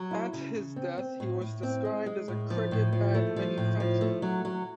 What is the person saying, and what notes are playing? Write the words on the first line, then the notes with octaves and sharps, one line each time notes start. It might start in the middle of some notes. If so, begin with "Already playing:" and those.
At his death he was described as a "cricket bat manufacturer".
Already playing: F#3
E4
C#3
C#3
C4
C4
A2
A2
C4
G#3
G#3
A2
F3
A2
F3
A3
F3
A2
F3
A3
F#3
F#3